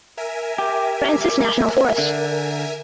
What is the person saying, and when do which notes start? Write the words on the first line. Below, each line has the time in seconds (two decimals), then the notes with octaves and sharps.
Francis National Forest.
0.17 A#4 E5 G#5
0.58 G4
1.98 D3